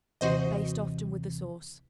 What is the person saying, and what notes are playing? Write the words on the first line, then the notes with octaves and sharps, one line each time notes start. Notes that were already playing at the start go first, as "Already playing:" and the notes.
Baste often with the sauce.
D#2 C3 E3 F#4 C5 D#5